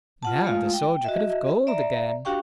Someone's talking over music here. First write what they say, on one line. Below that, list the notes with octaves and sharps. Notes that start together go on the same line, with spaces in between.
Now the soldier could have gold again.
F4 F#5 A5
G#3 A3 F4 F5
G5
F#4 D#5 E5
D5 E5 A#5
D4 F#4 G4 F5 G5 C#6